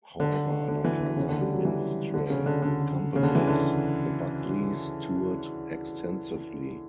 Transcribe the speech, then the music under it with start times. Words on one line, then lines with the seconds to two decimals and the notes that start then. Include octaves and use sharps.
However, like other minstrel companies, the Buckleys toured extensively.
0.20 D3
0.68 D3
0.84 E3
1.00 D3
1.16 C#3
1.29 D3
1.41 G3
1.53 F#3
1.65 E3
2.14 D3
2.30 C#3
2.46 D3
2.62 D3
3.16 C#3
3.23 D3
3.35 E3
3.47 D3